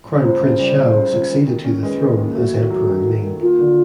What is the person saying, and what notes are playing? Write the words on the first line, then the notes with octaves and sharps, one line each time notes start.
Crown Prince Shao succeeded to the throne as Emperor Ming.
C#2 C5
C#3
G3
C#3
C#3
C#2
D#3
D#3
C#4
G#3 B4
D#3
D#2
A3 F#4
D#3
F#3
D#3
D#3
D#3
A#3 F4
D3